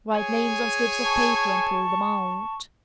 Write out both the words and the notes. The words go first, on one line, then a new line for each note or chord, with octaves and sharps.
Write names on slips of paper and pull them out.
G#4 C#5 G#5
A5 C#6